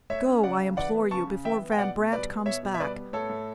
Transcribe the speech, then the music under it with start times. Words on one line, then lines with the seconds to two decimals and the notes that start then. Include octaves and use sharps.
Go, I implore you, before Van Brandt comes back.
0.10 A3 C#5 E5
0.27 C#4
0.43 C#3 D5 F#5
0.60 C#3
0.77 E3 D5 F#5
0.94 B3
1.11 C#3 A5 C#6
1.27 C#3
1.45 E3 E5 G5
1.62 B3
1.72 G5
1.78 B2 D5 F#5
1.95 B2
2.12 G3 B4 D5
2.29 B3
2.46 B2 C#5 E5
2.63 B2
2.74 E5
2.80 G3 B4 D5
2.96 B3
3.13 A2 A4 C#5
3.30 A2